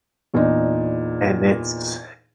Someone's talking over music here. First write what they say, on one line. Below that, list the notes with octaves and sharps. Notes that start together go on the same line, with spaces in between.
and it's
E2 A#2 D4 D#4